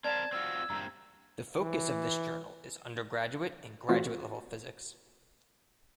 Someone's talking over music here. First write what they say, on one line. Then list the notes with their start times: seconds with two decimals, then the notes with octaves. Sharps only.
The focus of this journal is undergraduate and graduate level physics.
0.04 C4 A#4 D5 F5 A5 G#6
0.33 C4 F4 F#4 E6
0.70 G2 A#2 C4 A#5
1.61 E3
3.89 E3 A3 C4 F4 F#4